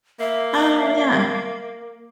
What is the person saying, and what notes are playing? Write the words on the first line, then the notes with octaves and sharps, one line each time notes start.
Oh, yeah.
A#3 E5